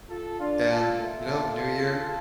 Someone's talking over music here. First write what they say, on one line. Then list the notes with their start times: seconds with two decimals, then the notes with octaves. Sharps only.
And, you know, new year,
0.09 F4 A4
0.40 D4 F4
0.70 F4 A4
1.00 A#2 A3 F4 A4